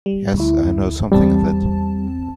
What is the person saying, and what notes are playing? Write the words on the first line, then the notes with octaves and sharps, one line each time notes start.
Yes, I know something of it.
G3
D2 E4
E2 G3 C4 A5